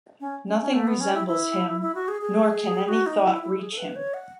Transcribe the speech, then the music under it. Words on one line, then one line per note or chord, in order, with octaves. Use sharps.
Nothing resembles Him nor can any thought reach Him.
C#4
C#4
C#4
A3
B3
C#4
E4
E4
E4
F#4
G#4
G#4
F#4
D#4
E4
E4
G#4
A4
B4
C#5
F#5